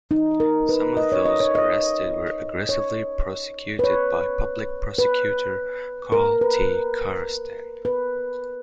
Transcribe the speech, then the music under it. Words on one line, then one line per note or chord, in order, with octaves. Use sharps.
Some of those arrested were aggressively prosecuted by public prosecutor Karl T. Chrastan.
D#4
A#4
B4
D#5
C#5
D#5
C#5
D#5
C#5
B4
C#5
B4
A#4
B4
B4